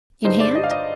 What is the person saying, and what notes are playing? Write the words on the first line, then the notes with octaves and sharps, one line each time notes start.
"In hand?"
G2 D3 G#3 D#4 C5
D5
D#5
F5
D#5